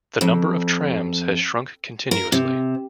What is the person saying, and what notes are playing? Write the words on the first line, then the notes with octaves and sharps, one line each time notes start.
The number of trams has shrunk continuously.
F2
A#4
C3